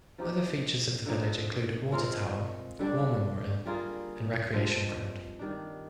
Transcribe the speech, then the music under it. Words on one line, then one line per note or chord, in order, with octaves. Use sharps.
Other features of the village include a water tower, war memorial and recreation ground.
F3 C4 D#4 G4
D3 F3 C4 D#4
G#3 C4 F4 A#4
D3 G3 D4
G3 A#3 F4 G#4
G2 F3 G#3 C4
D#3 G3 D4